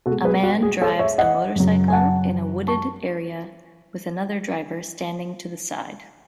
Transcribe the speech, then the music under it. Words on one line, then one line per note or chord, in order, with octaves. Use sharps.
A man drives a motorcycle in a wooded area, with another driver standing to the side.
B2 G#3 F#4 A4
G#4 B4
F#4
G#4
A4 C#5
C#5 E5
D#5 F#5
F#2 C#3 F#3
G#5
F#5 A5
A5 C#6